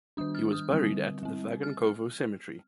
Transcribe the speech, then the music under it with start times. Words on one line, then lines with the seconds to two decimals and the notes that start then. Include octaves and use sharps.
He was buried at the Vagankovo Cemetery.
0.17 D#3 G3 D4 D#6
0.35 F6
0.53 D#6
0.70 D3 G3 C4
1.23 G3 C4
1.63 F6